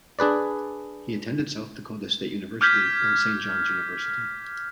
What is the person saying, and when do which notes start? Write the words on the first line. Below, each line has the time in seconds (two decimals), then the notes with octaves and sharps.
He attended South Dakota State University and Saint John's University.
0.19 D4 G#4 B4 D5
2.61 D6 F6 G6 G#6 B6